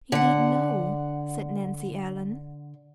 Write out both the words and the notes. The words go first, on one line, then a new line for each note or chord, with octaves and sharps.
"Indeed, no!" said Nancy Ellen.
D3 F#5